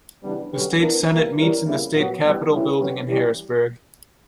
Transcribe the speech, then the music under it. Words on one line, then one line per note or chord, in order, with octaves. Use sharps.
The State Senate meets in the State Capitol building in Harrisburg.
C#3 E3 G3 B3 D4
D3 F#3 C#4 G4 B4
E3 B3 D4 A#4
G2 E3 A#3 E4 A#4
E3 G3 C#4 E4 A#4
E2 C#3 G3 A#3 E4
A#2 F#3 B3 F#4
G2 E3 G3 B3
G3 C#4 E4 G4 B4
D3 F#3 C#4 G4 B4
E3 G3 C#4 G4